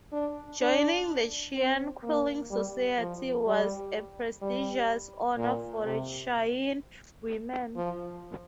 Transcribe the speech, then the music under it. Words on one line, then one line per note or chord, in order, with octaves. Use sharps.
Joining the Cheyenne Quilling Society was a prestigious honor for Cheyenne women.
D4
D4
C4
A#3
G3
F3
G3
G3
A#2
C3
F3